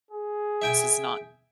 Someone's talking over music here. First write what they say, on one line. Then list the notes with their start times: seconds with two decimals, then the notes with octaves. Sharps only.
This is not
0.11 G#4
0.62 E5 G5 G#5